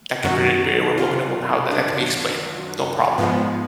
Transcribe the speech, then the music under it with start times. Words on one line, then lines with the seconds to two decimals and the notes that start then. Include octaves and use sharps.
That can be re be it were woman to woman, how that that can be explained, no problem.
0.24 F#2 D#3 F#3 F#4
0.98 F4
1.71 D4
3.18 G#2 F3 G#3 B3